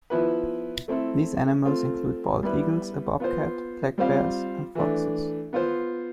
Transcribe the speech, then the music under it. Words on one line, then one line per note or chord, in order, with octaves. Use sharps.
These animals include bald eagles, a bobcat, black bears and foxes.
F3 B3 E4 B4
A3 C4 E4 A4
A3 C4 F4
G3 B3 E4 B4
B3 F4 C5
G3 C4 F4 C5 F5
E3 A3 D4
B3 F4 C5